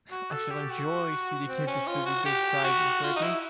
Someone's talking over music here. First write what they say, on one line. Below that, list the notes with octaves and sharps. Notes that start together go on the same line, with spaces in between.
I shall enjoy seeing you distribute those prizes, Bertie.
F#4
A4
G4
F#4
C4
C#4
F4
F#4
G4
F#4
F4
D#4
E4